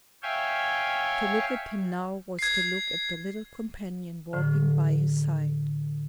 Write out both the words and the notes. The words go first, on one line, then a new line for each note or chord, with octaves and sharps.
To look at him now was to look at the little companion walking by his side.
C#5 E5 F5 G5 G#5
G#6 C7
A2 D3